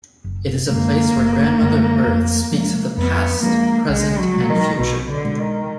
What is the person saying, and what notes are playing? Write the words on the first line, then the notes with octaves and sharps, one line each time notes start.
It is a place where Grandmother Earth speaks of the past, present and future.
F#1
F#2 D3 G#3 A#3
F#1
F#2 D3 G#3
F2
F3 G#3 D4
F2 B3
F3 G#3 A#3 D4
B1 G#3
F#3
B2 G#3
D#3
B1 B2
D3
B2 G#3
D#3